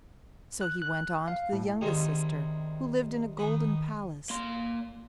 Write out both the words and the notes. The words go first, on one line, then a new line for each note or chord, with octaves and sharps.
So he went on to the youngest sister, who lived in a golden palace.
F#6
F#6
F5
A2
C3 D#3 G3 G#3
D#3 B3 B5
A#3 C6